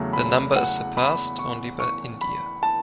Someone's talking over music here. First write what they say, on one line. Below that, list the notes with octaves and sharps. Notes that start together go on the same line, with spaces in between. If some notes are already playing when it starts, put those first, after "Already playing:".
The number is surpassed only by India.
Already playing: E2 C#3 F#3 A3
B5
F#5
B5
C#6
C#6
B5
A5